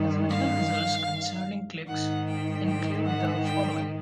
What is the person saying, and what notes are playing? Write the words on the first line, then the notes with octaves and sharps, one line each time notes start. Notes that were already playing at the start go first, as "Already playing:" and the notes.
Mathematical results concerning cliques include the following.
Already playing: G2 D#3
F5
G#2 D#3 F#5
G5
G5
F#5
G5